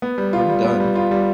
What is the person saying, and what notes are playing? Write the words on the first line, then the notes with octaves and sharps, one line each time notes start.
I'm done.
B3
G3
F4
G3
B3
G3
F4
G3